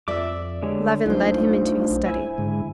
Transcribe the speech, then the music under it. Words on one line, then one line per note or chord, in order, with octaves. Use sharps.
Levin led him into his study.
F2 D5 E5 D6 E6
D3 G#3 G4 C#5
C2 F#2 A3 D4 D#4 F4 C5
B1
E4 G#5
G#2 D3 G#3